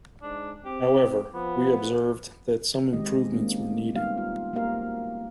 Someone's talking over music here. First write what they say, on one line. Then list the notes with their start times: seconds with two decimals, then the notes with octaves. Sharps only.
However, we observed that some improvements were needed.
0.22 G#2 D4
0.65 C4 G4
1.34 F3 B3
2.93 D#3 G#3 C4 G4 D#5
3.32 G#3 A#3 C4 C#4 D#4
3.94 G3 G#3 B3 D#4 F5
4.17 F4
4.53 A#3 B3 F#4 G4 A#4 F5